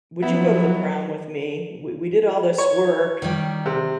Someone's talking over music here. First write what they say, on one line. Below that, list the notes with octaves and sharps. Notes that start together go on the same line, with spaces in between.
"Would you go to the prom with me? We we did all this work,
F3 F#3 B3 E4
C#5
D#3 G3
C3